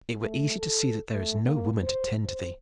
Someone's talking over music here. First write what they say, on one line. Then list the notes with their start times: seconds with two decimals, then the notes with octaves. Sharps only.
It were easy to see that there is no woman to tend to thee.
0.20 A3
0.58 A4
1.12 A3
1.45 A#3
1.83 C5
2.26 C5